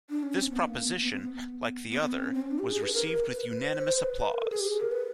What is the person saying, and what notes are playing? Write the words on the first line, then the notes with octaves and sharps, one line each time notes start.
This proposition, like the other, was received with unanimous applause.
D4
C#4
C4
B3
A#3
B3
B3
C4
B3
B3
B3
C4
C#4
C4
C#4
D4
G4
G#4
B4
A#4
B4
C5
B4
A#4
A4
G#4
G4
G#4
A#4
B4